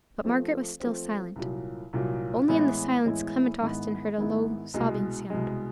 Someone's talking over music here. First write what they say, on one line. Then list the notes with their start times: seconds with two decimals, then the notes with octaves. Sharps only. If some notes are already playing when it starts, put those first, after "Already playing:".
But Margaret was still silent, only in the silence Clement Austin heard a low, sobbing sound.
0.24 F3 A3 C4
0.80 F3 A3 C4
1.36 C2 A#2 F#3
1.93 C2 A#2 F#3
2.48 A2 E3 G#3 B3 E4
3.05 A2 E3 G#3 B3 E4
3.61 G#2 D#3 G#3 B3 E4
4.18 G#2 D#3 G#3 B3 E4
4.74 C2 B2 G#3
5.30 C2 B2 G#3